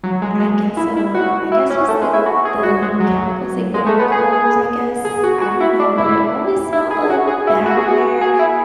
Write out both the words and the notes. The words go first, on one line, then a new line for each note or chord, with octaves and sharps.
I guess so. I guess it's the c the chemicals they put in the clothes, I guess. I don't know, but it always smelled, like, bad in there.
F#3
G#3
G#3
E4
E4
F#4
E4
C#4
A3
G#3
E4
F#4
G#4
F#4
G#3
F#3
G#3
A3
B3
G#4
G#4
G#4
F#4
F#4
E4
D4
E4
E4
G#4
F#4
G#4
E4
F#4
G#4
F#4
G#4
E4